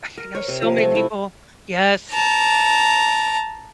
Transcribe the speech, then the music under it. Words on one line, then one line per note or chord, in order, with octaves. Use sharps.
okay I know so many people yes.
A#4
C#5
C3
F3
A3
E4
A5 A#5